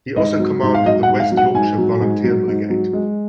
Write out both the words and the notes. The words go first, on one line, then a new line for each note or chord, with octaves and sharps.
He also commanded the West-Yorkshire Volunteer Brigade.
G#2 D#5
F#3
G#2
F5
F#3 D#5
F#5
G#2
F5
F#3
F#5
G#2 G#5
F#3
G#2
F#3
G#2
F#3
G#3